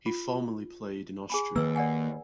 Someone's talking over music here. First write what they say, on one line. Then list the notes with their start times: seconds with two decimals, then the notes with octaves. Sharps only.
He formerly played in Austria.
0.06 F4
1.30 G#4 G#5 B5
1.56 D#3 A#3 B4 E6
1.76 D5 F#5 G#5